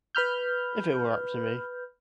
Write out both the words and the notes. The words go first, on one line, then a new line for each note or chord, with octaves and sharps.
If it were up to me.
B4 B5 F6 G6